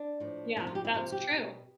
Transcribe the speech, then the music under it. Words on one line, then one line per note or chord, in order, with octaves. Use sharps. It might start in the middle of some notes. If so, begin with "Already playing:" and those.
Yeah, that's true.
Already playing: D4
A2 F3
C3 F3 E4
F4
G4
E4
C3 F3 F4
G4
B2